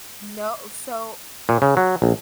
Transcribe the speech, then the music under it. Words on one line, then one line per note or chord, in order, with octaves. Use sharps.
No, so
A#2
C#3
F#3
A#1